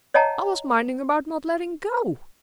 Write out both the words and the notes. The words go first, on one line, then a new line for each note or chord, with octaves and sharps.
"I was minding about not letting go."
C#5 D#5 F#5 G5 A5 A#5